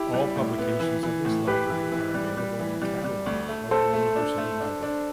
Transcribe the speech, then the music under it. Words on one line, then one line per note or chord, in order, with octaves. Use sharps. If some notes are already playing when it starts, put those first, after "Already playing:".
All publications of this library are available in the catalogue of the university library.
Already playing: E4 G4
G3
A2
B3
E3
E3
A2
E3 G4 B4
E3
E3
G3
G3
E3
G3
G3
D2
A3
A3 A4 C5
A3
D4
A3
D4
D4